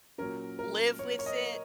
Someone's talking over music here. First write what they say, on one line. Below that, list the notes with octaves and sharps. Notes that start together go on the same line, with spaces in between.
live with it,
A#2 F#3 C#4 A#4
A#4
C#5
C#5
D#5